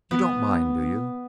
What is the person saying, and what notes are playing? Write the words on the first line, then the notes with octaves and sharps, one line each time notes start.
You don't mind, do you?
B3